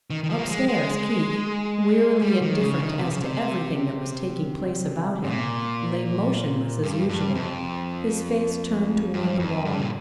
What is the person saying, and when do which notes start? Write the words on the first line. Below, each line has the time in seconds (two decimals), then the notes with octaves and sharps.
Upstairs, Keith, wearily indifferent as to everything that was taking place about him, lay motionless as usual, his face turned toward the wall.
0.10 D#3
0.24 D#3
0.30 F3
0.39 A#3
0.49 G#3
0.68 G#3
2.22 G3
2.41 D#3
2.60 C#3
2.79 D#3
2.99 C3
3.11 C#3
3.21 C3
5.24 G#2
5.29 A#2
6.83 G2
7.09 G2
7.35 F2
9.13 G2
9.39 F2
9.65 G2
9.79 A#2